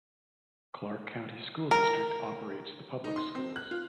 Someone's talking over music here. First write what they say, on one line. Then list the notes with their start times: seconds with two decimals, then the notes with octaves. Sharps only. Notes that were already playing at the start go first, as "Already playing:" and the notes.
Clark County School District operates the public schools.
1.71 A#4
3.04 D#4
3.16 C6
3.35 C4
3.56 F#6
3.71 F4